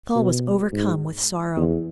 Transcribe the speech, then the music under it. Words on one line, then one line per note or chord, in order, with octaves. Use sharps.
Saul was overcome with sorrow.
B2
G#2
E2